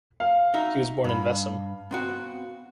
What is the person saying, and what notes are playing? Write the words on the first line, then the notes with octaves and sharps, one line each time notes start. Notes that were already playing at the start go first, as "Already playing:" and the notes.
He was born in Vessem.
F5
D#4 F#4 E5
G2 B5
B3 C4 F#4